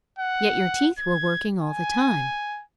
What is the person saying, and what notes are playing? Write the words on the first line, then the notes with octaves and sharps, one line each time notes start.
Yet your teeth were working all the time.
F#5
G#6
G#5